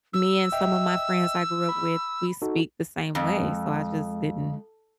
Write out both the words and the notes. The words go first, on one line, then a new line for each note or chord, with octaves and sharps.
me and some of my friends I grew up with, we speak the same way, so I just didn't
E6
D#5 E5 G5
B5
D#4 F#4 A4
F2 G#3